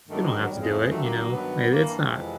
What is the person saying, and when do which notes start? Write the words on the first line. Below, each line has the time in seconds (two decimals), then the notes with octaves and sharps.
We don't have to do it." You know? It, it's not,
0.08 G2 D#3 F#3 A3
0.22 G#3
0.36 F#3
0.49 F2 C#3 E3 G3
0.59 G#3
0.69 A3
0.79 G#3
0.89 G2 D#3 F#3 A3
1.04 A#3
1.18 A#3
1.31 G2 D#3 F#3 B3
1.71 G2 E3 A#3
2.12 F2 C3 E3 G#3